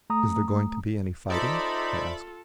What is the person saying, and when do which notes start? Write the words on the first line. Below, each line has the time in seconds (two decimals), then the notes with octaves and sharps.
"Is there going to be any fighting?" I asked.
0.10 A3 A#5 D#6
1.30 D#4 F4 A4 C5 D5 E5 B5